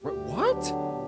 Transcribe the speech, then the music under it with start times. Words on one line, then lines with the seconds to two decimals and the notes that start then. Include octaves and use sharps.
We what?
0.02 D2 G4
0.45 D3 F#3 B3 D4
0.89 A#2